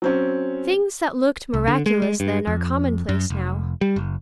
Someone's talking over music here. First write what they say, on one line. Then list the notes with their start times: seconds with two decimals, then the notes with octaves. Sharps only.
Things that looked miraculous then are commonplace now.
0.02 F#3 C4 C#4
1.54 C2
1.68 D3
1.86 G#3
2.02 G#3
2.20 G2
2.47 F2
3.09 F#2
3.30 F1
3.81 G3
3.96 F#1